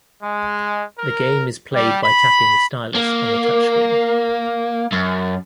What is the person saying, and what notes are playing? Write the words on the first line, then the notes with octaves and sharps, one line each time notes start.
The game is played by tapping the stylus on the touch screen.
G#3
A#4
G3
B5
A#3
F#2